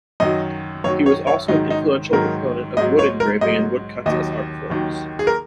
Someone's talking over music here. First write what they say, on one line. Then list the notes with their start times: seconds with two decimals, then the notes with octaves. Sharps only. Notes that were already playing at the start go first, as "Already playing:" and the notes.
He was also an influential proponent of wood engraving and woodcuts as art forms.
0.20 F#2 D#3 F#3 D#5
0.84 F#2 D#3 F#3 C#5
1.06 C#5
1.27 C#5
1.48 G#2 D#3 F#3 D#4
1.70 D#4
2.13 G#2 D#3 F#3 A#4
2.77 G#2 F#3 D#5
2.99 C#5
3.20 A#4
3.41 G#2 F#3 D#5
4.06 D#2 D#3 F#3 D#5
4.70 D#2 D#3 F#3
5.19 G#4
5.27 A#4